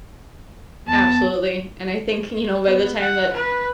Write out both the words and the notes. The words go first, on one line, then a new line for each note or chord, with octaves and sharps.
Absolutely, and I think, you know, by the time that
E2 B3 A5
B3
F#5
B4